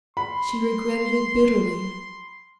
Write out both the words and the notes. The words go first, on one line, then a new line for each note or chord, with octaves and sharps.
She regretted it bitterly.
B5 C6